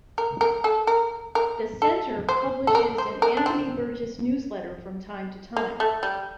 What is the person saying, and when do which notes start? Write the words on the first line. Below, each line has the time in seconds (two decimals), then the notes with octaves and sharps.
The Center publishes an "Anthony Burgess Newsletter" from time to time.
0.18 A#4
0.41 A#4
0.64 A4
0.87 A#4
1.35 A#4
1.82 A4
2.29 C5
2.67 A4
2.75 A#4
2.98 C5
3.22 A#4
3.37 D4
3.46 C4
5.57 A#3
5.80 A3
6.03 G3